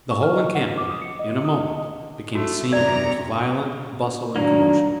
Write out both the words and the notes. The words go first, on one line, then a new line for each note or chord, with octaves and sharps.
The whole encampment, in a moment, became a scene of the most violent bustle and commotion.
C#6
F6
D#5
F#5
D6
D#6
C#7
D#5
D#6
D#5
A3 F#4
E2 C3 D5 A#5
D#3 F#3 A#3 D4